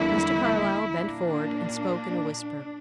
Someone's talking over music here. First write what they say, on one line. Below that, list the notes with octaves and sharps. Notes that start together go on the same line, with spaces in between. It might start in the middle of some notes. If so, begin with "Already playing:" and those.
Mr. Carlyle bent forward and spoke in a whisper.
Already playing: E2 D3 G3 A#3 E4
A#2 A#3 D4